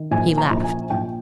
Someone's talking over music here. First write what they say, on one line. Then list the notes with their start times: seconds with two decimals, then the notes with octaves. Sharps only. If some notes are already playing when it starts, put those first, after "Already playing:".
He laughed.
Already playing: D#3
0.11 A#1 G#5
0.38 A#5
0.51 A#1
0.64 G#5
0.90 A#1 G5